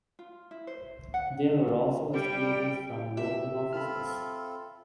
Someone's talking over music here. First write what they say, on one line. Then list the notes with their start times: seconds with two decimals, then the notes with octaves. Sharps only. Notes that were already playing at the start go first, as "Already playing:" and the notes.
They were also excluded from local offices.
0.19 F4
0.51 E4
0.67 C5
1.14 F#5
2.14 G3 G5
3.17 G4 E5
3.73 C4 F4 A4 B5 F6